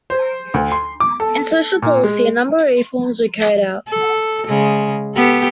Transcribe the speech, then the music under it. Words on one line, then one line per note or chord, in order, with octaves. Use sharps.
In social policy, a number of reforms were carried out.
C5
D2
C6
D6
A4
A#2
G#3
A4
C#3 G#3
B3 G4 A4